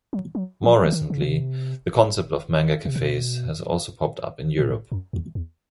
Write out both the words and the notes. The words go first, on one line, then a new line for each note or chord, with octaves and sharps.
More recently, the concept of manga cafes has also popped up in Europe.
F#3
F#3
F3
E3
D#3
C#3
C3
C3
B2
A#2
A2
F#2
E2
E2